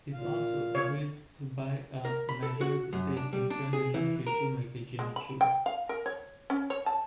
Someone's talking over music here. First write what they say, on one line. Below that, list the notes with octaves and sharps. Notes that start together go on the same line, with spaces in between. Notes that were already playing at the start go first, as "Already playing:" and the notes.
It also agreed to buy a majority stake in trendy luxury shoemaker Jimmy Choo.
A#2 F5
C#5
A#4
B5
A4
F#4
F#2
D4
G3
D4
G#4
E3
A#4
G#3
B5
G5
F5
A#4
C#5
C#4
C#5
A5